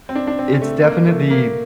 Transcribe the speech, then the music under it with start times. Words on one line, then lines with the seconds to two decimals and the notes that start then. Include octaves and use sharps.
it's definitely
0.09 C4
0.15 D4
0.27 D4
0.39 C4
0.62 A3
0.84 A#3
1.08 A3
1.30 A#3